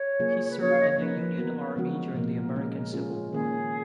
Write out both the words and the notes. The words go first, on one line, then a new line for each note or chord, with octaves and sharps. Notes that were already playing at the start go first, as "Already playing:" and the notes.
He served in the Union Army during the American Civil War.
Already playing: C#5
C#3 F#3 A#3 F4 G#4
B4
F3 A#3 C#4 C#5
F5
D#5
C#5
F3 A#3 D#4 A#4 B4
F#3 B3 F#4 A#4
C#3 F3 G#3 B3 F#4 A#4
A#2 F3 A#3
C#3 G#3 C#4
G#3 C#4 F4 G#4
D#3 A#3 C#4 G#4